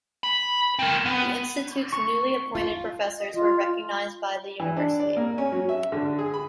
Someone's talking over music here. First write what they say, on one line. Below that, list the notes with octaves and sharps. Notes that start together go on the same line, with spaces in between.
The Institute's newly appointed professors were recognised by the university.
B5
C4 A#4
B3
C#6
F4
D#5
F4
E3
D4
D5
A#3
C#4
F#3
E5
D3
G#4
B5